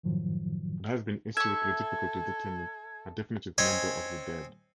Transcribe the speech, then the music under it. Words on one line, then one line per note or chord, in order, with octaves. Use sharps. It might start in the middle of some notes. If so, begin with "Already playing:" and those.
It has been historically difficult to determine a definitive number of the dead.
F#2 A2 D#3 F3 F#3
A4 E5 C#6 G#6
C4 C#4 D#5 G#5